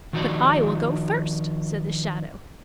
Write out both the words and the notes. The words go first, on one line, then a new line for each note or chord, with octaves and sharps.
"But I will go first!" said the shadow.
D#3 F3 D#4 F#4 D5